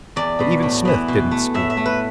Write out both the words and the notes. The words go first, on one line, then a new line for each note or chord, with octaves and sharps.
But even Smith didn't speak.
E2 D5
B2 B3
A2
E3 B3
B2
A3
A2 E5
E5
A3
B4